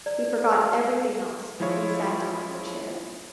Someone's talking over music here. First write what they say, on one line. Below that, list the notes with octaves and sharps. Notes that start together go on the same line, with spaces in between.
He forgot everything else, and sat down in the chair.
D5
F3 G#3 E4 F4 C#5